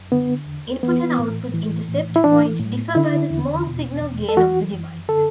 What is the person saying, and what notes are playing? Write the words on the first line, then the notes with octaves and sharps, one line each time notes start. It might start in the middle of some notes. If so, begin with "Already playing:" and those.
Input and output intercept point differ by the small-signal gain of the device.
Already playing: F#2
D3 B3
E2
E3 B3
A2
E3
A2
E4
E3 D4
A2
D3 E4
E2
B2
E2
A4
E3 F#4
F#2
D3 A4